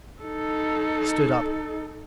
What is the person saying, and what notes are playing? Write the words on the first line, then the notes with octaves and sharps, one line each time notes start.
I stood up.
D#4 A4